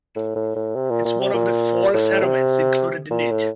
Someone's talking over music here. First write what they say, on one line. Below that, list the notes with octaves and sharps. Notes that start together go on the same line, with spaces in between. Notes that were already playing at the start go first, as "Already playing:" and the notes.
It is one of the four settlements included in it.
A2
A2
A2
C3
A#2
A#2
C3
A#2
A2
C3
A#2
A2